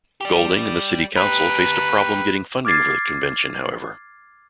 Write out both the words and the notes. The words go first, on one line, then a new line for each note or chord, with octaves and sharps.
Golding and the city council faced a problem getting funding for the convention, however.
G4 D5
G4 A#4 B4
D6 F6 G#6 A6 C7